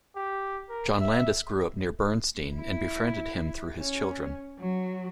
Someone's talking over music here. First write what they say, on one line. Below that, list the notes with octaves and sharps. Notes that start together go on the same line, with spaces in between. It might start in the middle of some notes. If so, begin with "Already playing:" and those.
John Landis grew up near Bernstein, and befriended him through his children.
G4
A#4
E5
E4
C#4
F#3 F#4